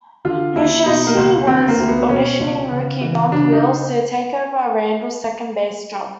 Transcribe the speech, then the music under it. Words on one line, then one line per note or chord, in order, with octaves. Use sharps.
Lucchesi was auditioning rookie Bump Wills to take over Randle's second base job.
D3 F4
D#2 E4
B2 D#4
A#3
C#2
D3 C4
A#3
D2
B3
B2 C#4
C#2
C#3
E3
C#3 D4
D#4